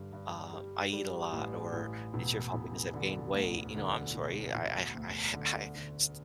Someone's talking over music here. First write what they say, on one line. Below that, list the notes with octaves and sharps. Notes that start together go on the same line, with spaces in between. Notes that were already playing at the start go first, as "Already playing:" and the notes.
um, "I eat a lot," or, "It's your fault because I've gained weight." You know, "I'm sorry. I I I h I h st"
Already playing: G2 D3
G2
G3
G3
A1
A1
E1
E1
D3
D2
D3
E1
E1
D2
D3
D3